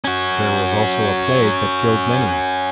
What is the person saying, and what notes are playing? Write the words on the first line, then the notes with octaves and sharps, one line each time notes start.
There was also a plague that killed many.
C#4 F#4